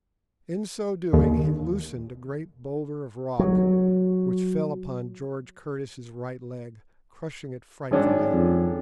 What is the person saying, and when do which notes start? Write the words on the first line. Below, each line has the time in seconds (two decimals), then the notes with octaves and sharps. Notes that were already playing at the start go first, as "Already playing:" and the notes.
In so doing he loosened a great boulder of rock, which fell upon George Curtis's right leg, crushing it frightfully.
1.13 D#2
3.39 F#3
7.91 G#1 C#4 D4
8.33 F2